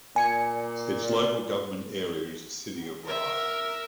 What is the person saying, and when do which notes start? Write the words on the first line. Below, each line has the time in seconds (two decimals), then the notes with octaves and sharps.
Its local government area is the City of Ryde.
0.16 A#2 G#5 C#7
3.06 A#4 E5